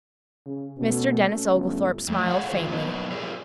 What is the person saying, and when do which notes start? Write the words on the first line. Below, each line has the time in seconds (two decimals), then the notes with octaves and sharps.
Mr. Denis Oglethorpe smiled faintly.
0.46 C#3
0.77 B2 A3 C#4
1.54 G1
2.08 F2 A3
2.28 G#4 A4 C#5 D5 F5 F#5
2.50 F2 D#3 F4 G#4 C5
2.71 F#3 A#3 B3 D4 D#4
3.11 F4 G4 G#4 A#4 D5